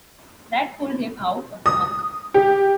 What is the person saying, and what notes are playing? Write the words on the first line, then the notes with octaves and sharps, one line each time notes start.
That pulled him out of the muck.
D#6
G4